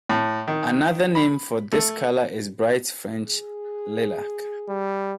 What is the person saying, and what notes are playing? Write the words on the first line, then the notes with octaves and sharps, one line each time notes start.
Another name for this color is bright French lilac.
A2
D#3
B5
A3
G#4
G3